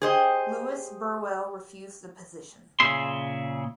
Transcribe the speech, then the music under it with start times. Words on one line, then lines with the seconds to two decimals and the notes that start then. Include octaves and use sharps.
Lewis Burwell refused the position.
0.02 G4 G#4 C5 D#5
2.80 A#2 C#3 G#4 E5 C6